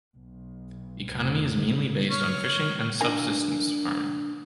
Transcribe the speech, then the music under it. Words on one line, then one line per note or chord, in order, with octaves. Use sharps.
The economy is mainly based on fishing and subsistence farming.
B1
F1
C#5 F6
D4 A#4 F5 G#5